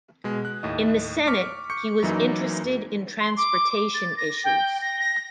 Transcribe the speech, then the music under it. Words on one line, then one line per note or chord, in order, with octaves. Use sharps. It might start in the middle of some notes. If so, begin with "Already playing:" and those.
In the Senate, he was interested in transportation issues.
B2 G#3
F#6
D#2 A2 D#5
C#6 D6 F6 B6 C#7
C#6 G6 C#7
F#2 E3 F#3 A#3 D#4 E4
C6
D6
A6
A#6
G5
A#6
A#6